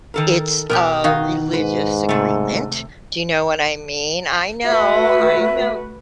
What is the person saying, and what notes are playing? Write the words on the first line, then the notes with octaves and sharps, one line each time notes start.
it's a religious agreement. Do you know what I mean? I know, I know
D#3 A4 A#4
B2 B3 G4 A#4
D#3 F#4 D#5 F5
G#2 B4
C3 A3
A3 F#4 B4 E5